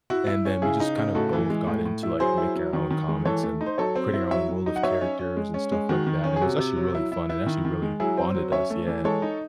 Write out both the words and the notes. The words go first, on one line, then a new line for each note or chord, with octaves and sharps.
And then we just kinda both got into, like, making our own comics and creating our own world of characters and stuff like that, and it was actually really fun, and actually really bonded us. Yeah.
E4 F#4
E4
C#4
C#3 E4 G#4
D#4
C#3
A2 F#4 A4
E3
G#3
A2
A2
E4
F#3 G#4 C5
E4
F#3
D#3
D#3
G#3
E3 A4 C#5
A3
D#4
C5
F#3 A4 C#5
C4
E4
F#3 C#5 E5
F#3
D#4
F#5
F#3 C#5 E5
C#4
C#4
G#3
C#4
G#3
D#3 F#4
D#3
C#4
G#4
C3 F#4
C3
F#3
E4
E4
E4
D#3
D#3
G#3
F#3 E4 G#4
C4
F#3
C#4 C#5 E5
A3
E3
G#3 A4 C#5
D#4